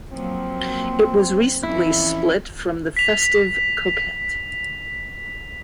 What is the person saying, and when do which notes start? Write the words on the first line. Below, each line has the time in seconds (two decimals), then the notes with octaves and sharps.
It was recently split from the festive coquette.
0.11 F3 F#3 A#3 C4
1.63 F2 E3 C#4 E4
2.97 B6 F7